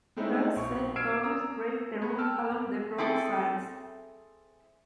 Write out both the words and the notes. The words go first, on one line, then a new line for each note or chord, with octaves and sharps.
Paired shed dormers break the roof along the broad sides.
G#3 A3 C4 C#4 D#4 E4
B1 C#6
E6 F6 G#6 C7 D7 E7
A#5 D#6 E6
B3
G5 A5 E6 F6
C4 E4 G#4 A4